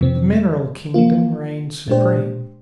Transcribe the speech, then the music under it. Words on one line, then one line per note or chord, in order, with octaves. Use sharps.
The mineral kingdom reigned supreme.
F2 C3 F3 C4
F3 A#3 F4
A#2 G#3 D4 G4 C5